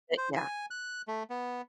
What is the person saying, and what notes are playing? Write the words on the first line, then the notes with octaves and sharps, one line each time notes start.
but yeah.
C5
G#5
F#6
A3
B3